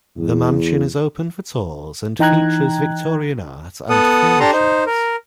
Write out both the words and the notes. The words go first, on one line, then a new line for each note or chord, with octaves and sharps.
The mansion is open for tours and features Victorian art and furnishings.
E2
E3 D#4 G5 A#5 F#6 G#6
B3 A4 F#5 D#6
D4 G4 A4 A#5 C6
D#4 C5
A#4